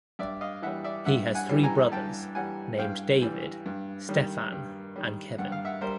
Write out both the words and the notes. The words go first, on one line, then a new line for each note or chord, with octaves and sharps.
He has three brothers named David, Stephan and Kevin.
G2 D5 E5
D#5 F5
E3 G3 E5 F#5
D5 E5
G2 E5 F#5
F#5 G#5
E3 G3
G#5 A#5
G2 G5 A5
E3 G3 F#5 G#5
G2 F5 G5
E3 G3
G2
D#3 G3
G2
D#3 G3
G2 F#5
F5
E5 F#5
G3 A#4 C5